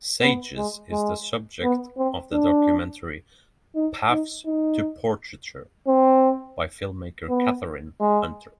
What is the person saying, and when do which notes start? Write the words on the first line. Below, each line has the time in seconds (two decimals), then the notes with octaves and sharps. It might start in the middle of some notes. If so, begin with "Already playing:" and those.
Sages is the subject of the documentary "Paths to Portraiture" by filmmaker Catherine Hunter.
0.21 B3
0.56 G#3
0.91 G#3
1.63 B3
1.97 C4
2.33 D4
3.75 D#4
4.10 D#4
4.46 D#4
5.88 C4
7.29 B3
8.00 G#3